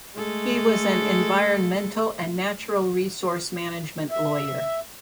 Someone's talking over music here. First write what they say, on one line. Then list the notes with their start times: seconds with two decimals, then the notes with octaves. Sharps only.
He was an environmental and natural resource management lawyer.
0.16 G#3 A3 A4
4.11 E5